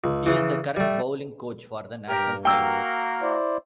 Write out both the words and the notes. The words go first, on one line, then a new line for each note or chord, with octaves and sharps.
He is the current bowling coach for the national side.
C#2
C#3 E3
G3 A3
G2 G4 A#4
A#3 F#4 A#4 G5 E6
E4 C5 D5